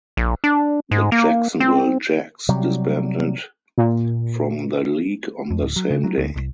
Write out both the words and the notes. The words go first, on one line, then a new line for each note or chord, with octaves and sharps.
The Jacksonville Jacks disbanded from the league on the same day.
A#1
D4
G#2
A#3
C4
C3 F#3 G3
A#2
F2
D1
F#3
C#3
F#3
D2
C2